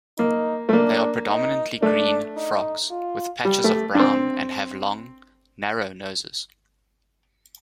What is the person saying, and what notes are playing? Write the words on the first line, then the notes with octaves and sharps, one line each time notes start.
They are predominantly green frogs, with patches of brown, and have long, narrow noses.
A#3 D#4
A3
A#3 D4
D#4
A3 D4
D#4
F4
G3 G4
A3
D4
C4